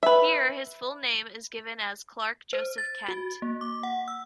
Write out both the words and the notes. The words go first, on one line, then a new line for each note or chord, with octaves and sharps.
Here, his full name is given as Clark Joseph Kent.
B4 E5
C5
A6
F#4
A#3
D6
F#5
E6